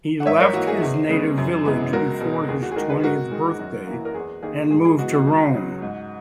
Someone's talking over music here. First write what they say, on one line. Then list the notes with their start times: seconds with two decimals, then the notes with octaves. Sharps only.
He left his native village before his twentieth birthday and moved to Rome.
0.20 F#5
0.26 G#2 C#5 E5
0.40 A#4 C#5
0.53 E3 A#3 F#4
0.67 G#4
0.81 E2
1.09 C#3 G#3 B3
1.37 F#2
1.65 C#3 E3 G#3 B3
1.93 C#2 F#4 A#4
2.21 B2 G#3
2.48 D#2 G#4
2.62 F#4
2.72 G#4
2.76 D#3 G#3 F#4 A#4
2.89 G#4 B4
3.04 G#2 F#4 A#4
3.31 D#3 G#3
3.59 F#2
3.87 E3 A#3
4.05 A#4
4.14 E2 G#4
4.43 D#3 A#3 G#4
4.71 G#2 G#4
4.85 G#4
4.98 E3 G#3 B3 F#4
5.12 F#4
5.27 C#2
5.55 C#3 F#3
5.82 G#2